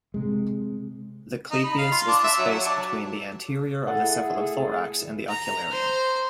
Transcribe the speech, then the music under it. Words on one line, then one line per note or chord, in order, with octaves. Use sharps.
The clypeus is the space between the anterior of the cephalothorax and the ocularium.
C3 G#3
D#4
B5
F5
F4
D4
E5
F#3
F#3
D4
A3 E4 G#4 A4 F#5
A#5
C5